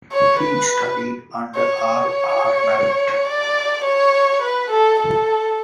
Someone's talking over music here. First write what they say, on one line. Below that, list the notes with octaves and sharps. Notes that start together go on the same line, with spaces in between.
He studied under R. R. Marett.
C#5
B4
C#5
C#5
D5
C#5
B4
A4
A4